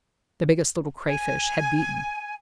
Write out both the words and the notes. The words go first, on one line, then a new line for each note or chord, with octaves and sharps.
The Biggest Little Crayfish had beaten.
G#5